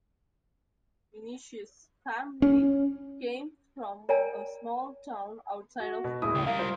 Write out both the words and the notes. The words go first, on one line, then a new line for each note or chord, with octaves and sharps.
Vinicius' family came from a small town outside of Rome.
C#4
A#4 C#5 D5 G5 G#5 A#5
F#4
B2
D1 E4 D#6
C#2 C#3
G3 A#4 F5
F4 C5